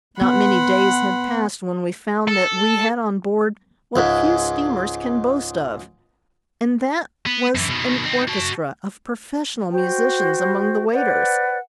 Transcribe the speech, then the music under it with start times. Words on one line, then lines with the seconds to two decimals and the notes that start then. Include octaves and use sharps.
Not many days had passed when we found that we had on board what few steamers can boast of, and that was an orchestra of professional musicians among the waiters.
0.21 B3 F#5 B5 C6
2.28 A4
3.96 C#2 G#2
7.26 B3
7.55 F#2 E3
7.70 B2 D#3
8.05 C4 D#4
8.28 F#4 A5
9.71 F#4 C5 G5
10.92 B4 C5 D5 F#5